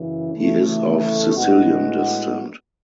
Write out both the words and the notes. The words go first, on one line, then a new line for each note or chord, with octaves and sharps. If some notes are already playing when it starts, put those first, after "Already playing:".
He is of Sicilian descent.
Already playing: F#2 C#3 E3
C#3 E3 A3
A2 G#3 B3 F#4